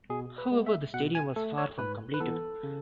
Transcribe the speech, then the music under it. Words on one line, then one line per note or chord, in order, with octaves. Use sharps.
However, the stadium was far from completed.
B2 G#4
B4
G#3 B3
E5
B2 F#5
G#5
A3 A4
C#5
G#2 B4
B4
E3 B3 A4
C#3